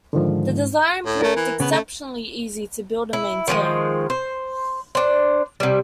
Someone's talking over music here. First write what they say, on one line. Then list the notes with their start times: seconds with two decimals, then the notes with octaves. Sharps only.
The design proved exceptionally easy to build and maintain.
0.13 G#2 D3 D#3 F3
1.05 A2
1.22 A3 A#4
1.36 E3
1.60 C#3 B3
1.71 A3
3.13 E4
3.48 D#3 F3 F#3 G#3
4.10 C5
4.95 D4 C5
5.60 C3 G3